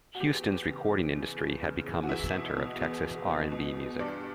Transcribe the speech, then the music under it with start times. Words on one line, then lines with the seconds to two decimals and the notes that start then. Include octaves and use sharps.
Houston's recording industry had become the center of Texas R and B music.
0.15 F#4
0.20 E2 G4
0.44 E2
0.67 C#3
0.91 E3
1.15 E2
1.38 E2
1.63 C#3
1.86 E3
2.03 F#4
2.09 E2 E4
2.32 B2
2.57 B2
2.80 E2
3.04 E2
3.27 B2
3.51 B2
3.75 E2
3.99 G2 D4